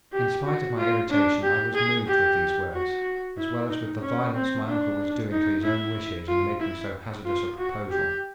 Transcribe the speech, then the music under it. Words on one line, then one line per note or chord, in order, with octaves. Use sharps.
In spite of my irritation I was moved with these words, as well as with the violence my uncle was doing to his own wishes in making so hazardous a proposal.
G4
F#4
F4
D4
G4
G#4
G4
F#4
E4
D#4
C#4
C4
D4
D#4
E4
F4
E4
F4
F#4
G4